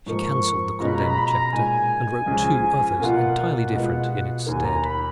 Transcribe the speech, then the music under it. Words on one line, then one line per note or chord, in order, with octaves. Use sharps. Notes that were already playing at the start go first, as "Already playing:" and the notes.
She cancelled the condemned chapter, and wrote two others, entirely different, in its stead.
G#2 F3 A#3 C#6
B2 G#3 C#4 F4 A#5
B5
A#5
B5
A#5
B5
A#5
A#2 G#3 D#4 G#5
C#2 C#3 F3
B2 A#3 F4 F#5
B2 G#3 B3 F4
D#2 D#3 A#3 G#5
A#5
B5